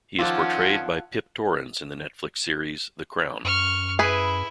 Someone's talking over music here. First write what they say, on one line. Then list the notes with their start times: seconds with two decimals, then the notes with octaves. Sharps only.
He is portrayed by Pip Torrens in the Netflix series "The Crown".
0.19 D#3 F3 C#4 F4 A4 D5 F#5
3.44 F#2 C#6 F6
3.99 E4 G#4 B4